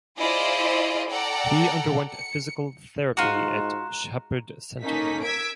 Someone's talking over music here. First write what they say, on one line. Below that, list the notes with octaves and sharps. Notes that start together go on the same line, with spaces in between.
He underwent physical therapy at Shepherd Center.
E4 F4 G#4 C5 D5 D#5
A4 D5 F#5 G5 A#5
C#7
G#2 F4 F#4 A#5 F#6 E7
A#3 C#4 D#4 A4 B6
E6 G#6 B6 D7